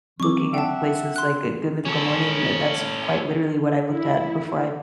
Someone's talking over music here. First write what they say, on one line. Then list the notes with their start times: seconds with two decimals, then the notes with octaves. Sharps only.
looking at places like, uh, Good Mythical Morning. Th that's quite literally what I looked at before I
0.20 F#3 C4 C#6 D6
0.54 E5 F#5 G5 A5
1.16 C6 F#6
1.85 C#4 A4
3.89 E4